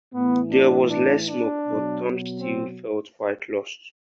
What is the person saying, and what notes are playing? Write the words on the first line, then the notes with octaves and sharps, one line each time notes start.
There was less smoke, but Tom still felt quite lost.
A2 E3 B3
D4
D4
D4
B2 F#3
C4